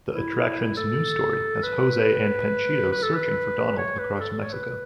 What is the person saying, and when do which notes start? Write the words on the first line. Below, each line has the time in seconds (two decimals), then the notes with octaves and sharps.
The attraction's new story has Jose and Panchito searching for Donald across Mexico.
0.13 E4
0.77 A4
1.63 B4
2.92 B4
3.03 A4
3.14 B4
3.78 C#5
3.99 B4
4.21 A4
4.32 A4
4.42 C#5
4.53 B4